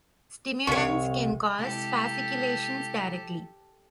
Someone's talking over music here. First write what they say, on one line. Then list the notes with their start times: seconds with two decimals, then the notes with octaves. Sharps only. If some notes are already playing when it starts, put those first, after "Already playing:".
Stimulants can cause fasciculations directly.
0.67 C2 C#5 C#6
1.58 C3 G#3 E4 G4 A4